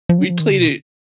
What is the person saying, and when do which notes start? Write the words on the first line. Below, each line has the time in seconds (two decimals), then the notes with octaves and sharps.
We played it
0.09 F3
0.18 F#3
0.30 F3
0.40 D#3
0.51 C#3
0.59 B2